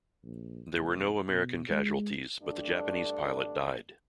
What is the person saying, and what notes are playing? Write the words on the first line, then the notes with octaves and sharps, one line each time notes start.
There were no American casualties, but the Japanese pilot died.
A#1
F1
B2
G#3
G2 A3 D4